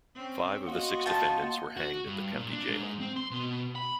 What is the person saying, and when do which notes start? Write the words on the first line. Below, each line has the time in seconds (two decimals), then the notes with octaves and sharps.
Five of the six defendants were hanged at the county jail.
0.15 C4 C#4
0.67 A#3 F#4 D#5 F#5 C6
1.06 F4 G5 A5
1.77 F#4
2.07 G2
2.33 A#2
2.52 D4
2.69 G#2
3.00 C4
3.17 C6
3.31 B2
3.75 B5